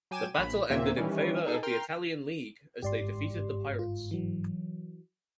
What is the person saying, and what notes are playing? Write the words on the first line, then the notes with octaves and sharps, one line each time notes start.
The battle ended in favor of the Italian league, as they defeated the pirates.
F#3 G5 G#5 D6 D#7 E7
A#1 B5
D#2 A#2 A#3 C4 E5
D#3 E3 G3 C#4
D#4 G#4 A4
A#4 G5 C6 F6
G1 G#2 G4 D5 C6
F4
E3 F#3